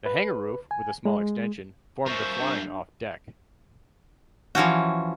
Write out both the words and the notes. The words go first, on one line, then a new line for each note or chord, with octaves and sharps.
The hangar roof, with a small extension, formed the flying-off deck.
B4
G#5
G#3
G3 F4 A#4 C5 E5 C#6
D4 G6
E3 F3 C#4 F#4